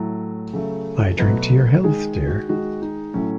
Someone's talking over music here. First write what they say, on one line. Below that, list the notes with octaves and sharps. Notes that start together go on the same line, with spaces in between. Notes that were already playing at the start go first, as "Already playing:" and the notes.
I drink your health, dear.
Already playing: A2 F#3 A3 A4
C#3 F#3 A3
B2 F#3 A3 B4
D#3 G#3 G#4
F#4
D#3 G#3 F#4
D#4
A2 F#3 A3 C#4